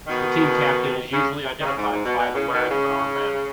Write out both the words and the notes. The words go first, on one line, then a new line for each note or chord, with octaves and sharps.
The team captain is usually identified by the wearing of an armband.
B2 D#3
C#3
D#3
C#3
G#2
G#2
B2
B2
C#3
B2 D#3
C#3